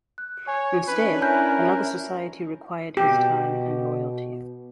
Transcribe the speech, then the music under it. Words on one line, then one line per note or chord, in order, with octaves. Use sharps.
Instead, another society required his time and loyalty.
F#6
C#5 G#5
C#4 D4 E4 B4
A#4 G#5 F#6 G6
B2 G4